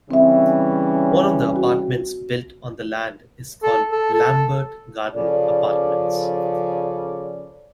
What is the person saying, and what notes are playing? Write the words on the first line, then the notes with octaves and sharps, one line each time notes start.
One of the apartments built on the land is called Lambert Gardens Apartments.
C#3 E3 G3 C4 C#4 E5
F#4
A4
A4
A4
C#3 F3 A4 D5